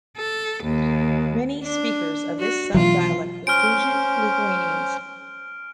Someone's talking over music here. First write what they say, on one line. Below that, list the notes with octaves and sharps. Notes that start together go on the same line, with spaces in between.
Many speakers of this subdialect were Prussian Lithuanians.
A4
D#2
D4
F#4
B2 E3 F#3 F4
C#4 C5 F6 D7